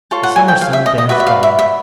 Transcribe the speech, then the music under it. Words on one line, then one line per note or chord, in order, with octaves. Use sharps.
The summer sun danced on.
F4 A4 C#5 C6
F#5
G#5
G5
F5
E5
D#5
D#5
F#4 B4 D5 E5
E5
F5
E5
E5